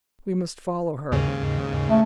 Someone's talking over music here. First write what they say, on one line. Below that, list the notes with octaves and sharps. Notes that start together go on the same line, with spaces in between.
"We must follow her."
D#2 G#2 C#3
A3